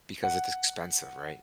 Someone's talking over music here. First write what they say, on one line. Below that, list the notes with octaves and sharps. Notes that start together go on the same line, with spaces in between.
Because it's expensive, right?
F#5